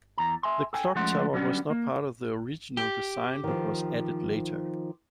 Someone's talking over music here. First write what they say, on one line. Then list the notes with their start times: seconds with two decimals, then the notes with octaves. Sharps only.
The clock tower was not part of the original design, but was added later.
0.18 E2 A#5
0.43 E5 G#5 C6
0.73 A4 G5 G#5
0.95 F3 G#3 A3 C#4 F#5 C6
1.33 D3 F#3 G3 A#3 B3 C#4
1.70 A#3
2.77 G4
3.44 D#3 F3